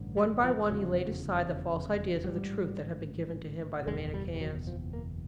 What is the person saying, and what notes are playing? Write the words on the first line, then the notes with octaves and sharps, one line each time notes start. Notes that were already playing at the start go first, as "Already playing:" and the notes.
One by one he laid aside the false ideas of the truth that had been given to him by the Manicheans.
Already playing: A1 G2 D3
G3
F3
F1 E2 C#3 F#3
F#3
A1 G#2 G3
F#1 E2 B2 G#3
G3
G3
F#3
F3
A#3